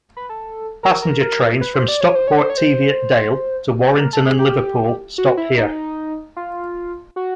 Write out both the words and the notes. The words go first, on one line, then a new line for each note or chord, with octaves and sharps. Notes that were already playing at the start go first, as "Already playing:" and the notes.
Passenger trains from Stockport Tiviot Dale to Warrington and Liverpool stopped here.
B4
A4
A#4
A#4
A#4
B4
C5
D5
C#5
C5
C#5
C5
C#5
C5
A#4
A4
G#4
G4
F#4
E4
D#4
F4
F#4